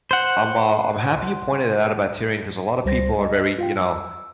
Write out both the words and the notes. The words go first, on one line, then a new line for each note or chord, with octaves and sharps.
I'm, uh I'm happy you pointed it out about Tyrion, 'cause a lot of people are very, you know,
C5 F#5
C#2 G3 C5 A#6
D#5
F4 F5 G5
E6